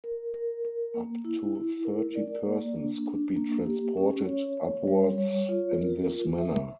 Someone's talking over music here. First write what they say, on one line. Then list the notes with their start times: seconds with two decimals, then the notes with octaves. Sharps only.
Up to thirty persons could be transported upwards in this manner.
0.04 A#4
0.34 A#4
0.65 A#4
0.94 A#3
1.25 E4
1.55 E4
1.85 A#4
2.15 D5
2.46 A#3
2.76 D4
3.06 D4
3.36 A#3
3.66 G4
3.97 C#4
4.26 C#5
4.57 C#5
4.87 G3
5.18 C#5
5.49 F4
5.78 A#4
6.08 F4
6.38 E5